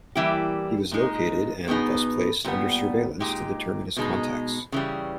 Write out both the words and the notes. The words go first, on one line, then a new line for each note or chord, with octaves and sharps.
He was located and thus placed under surveillance to determine his contacts.
E3 G3 A#3 E4 G4
A#2 G#3 D#4
B2 G3 B3 D#4 G#4
A#2 G3 B3
A#2 G#3 D#4 G4
B2 G#3 D#4
C#3 E3 G3